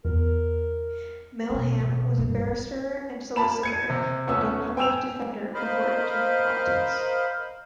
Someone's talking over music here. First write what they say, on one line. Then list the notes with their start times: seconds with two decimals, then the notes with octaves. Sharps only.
Melham was a barrister and solicitor and a public defender before entering politics.
0.05 E2 A#4
1.50 B2 G#3
1.80 B2 E3
2.17 A#1 G2
2.49 C4
3.36 A5 B5 E7
3.63 G#6 C#7 D#7
3.90 C3
4.27 D#1 A3 B3 C#4 G#5 E6
4.77 G5 G#5 E6 E7 F7
5.54 A#4 C5 D#5 F5 B5